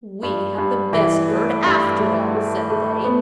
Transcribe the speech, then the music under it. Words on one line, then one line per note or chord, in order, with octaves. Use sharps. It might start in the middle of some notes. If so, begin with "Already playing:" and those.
"We have the best bird, after all," said they.
G2
G2
E3
A3
G2
A3
A3
A3
B3